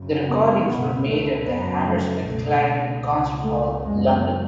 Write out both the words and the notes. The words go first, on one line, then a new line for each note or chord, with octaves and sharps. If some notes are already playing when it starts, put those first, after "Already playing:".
The recordings were made at the Hammersmith Clarendon concert hall, London.
Already playing: F#2 C#3
B3
C#2 B2 B3
A3
F#2 C#3 B3
A3
C#2 B2 A3
C#2 B2
A3
F#2 C#3 G#3